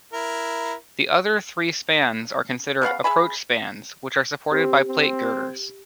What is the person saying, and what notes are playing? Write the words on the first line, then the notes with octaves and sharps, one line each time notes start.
The other three spans are considered approach spans, which are supported by plate girders.
E4 A#4
C#3 B3 F5 F#5
G#4 E5 G#5 B5
C4 G4
C4